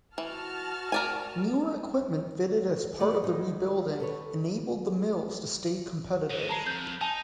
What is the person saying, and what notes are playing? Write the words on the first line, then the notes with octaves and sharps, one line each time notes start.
Newer equipment fitted as part of the rebuilding enabled the mills to stay competitive.
E3 F#4 A5 F6
A#4 D5 G#5
E3 A3 B4 D5
F#3 G#3 B3 D#4
A4 B4 C#5
E3 D#4
G#3 A5 A#5 C7
F2 G6
D#4 G#5 A5